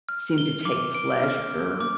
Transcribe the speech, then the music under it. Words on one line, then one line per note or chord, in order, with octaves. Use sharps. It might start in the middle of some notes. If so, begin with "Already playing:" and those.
seem to take pleasure
F6
G7
D6
D7
F6
F6
D6